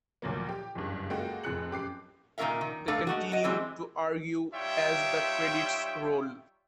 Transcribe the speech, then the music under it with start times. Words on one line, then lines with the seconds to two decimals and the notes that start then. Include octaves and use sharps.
They continue to argue as the credits roll.
0.22 D2 A#2 F3 F#3 A#3
0.49 G4
0.75 F#1 C#2 G2
1.10 G#3 A#3 F4 F#4 A4 G5
1.43 F1 F2 G#4 F#6 C#7 F#7
1.71 F#2 G4 D6 C7
2.38 A#2 D#3 D4 A#4 E5 F5
2.61 D#3
2.88 A3 D4 A4 A#4 F5
3.07 G#3 A3 F#4
3.32 F#4 D#5
3.44 E3 G3 G#3 C4
4.54 G3 D#4 F4 C#5 E5 G5